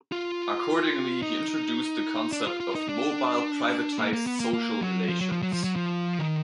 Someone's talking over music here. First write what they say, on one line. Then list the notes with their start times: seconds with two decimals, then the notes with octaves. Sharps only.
Accordingly, he introduced the concept of "mobile privatised social relations".
0.12 F4
1.22 D#4
2.32 D4
2.47 F4
2.60 F4
2.75 D#4
2.89 D4
3.98 A#3
4.13 A#3
4.27 B3
4.40 A#3
4.53 A#3
4.81 F#3
5.09 F3
5.21 F#3
5.32 F3
5.43 F#3
5.53 F3
5.64 F#3
5.76 F3
6.19 D#3